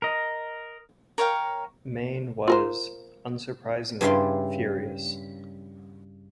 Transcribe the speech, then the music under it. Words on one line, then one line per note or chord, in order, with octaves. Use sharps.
Mayne was, unsurprisingly, furious.
A#4 D#5
A#4 C#5 F5 G5
F4 A#4 C5
G2 C#3 G3 E4 F5 C6